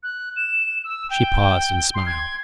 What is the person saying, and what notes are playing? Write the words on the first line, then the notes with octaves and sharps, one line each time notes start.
She paused and smiled.
F#6
E7
E6
G5
C6
G#6